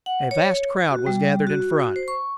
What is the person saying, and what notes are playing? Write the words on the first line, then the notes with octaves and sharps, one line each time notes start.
A vast crowd was gathered in front.
F#5
C#5
F#4
G3
F#4
C5
C#6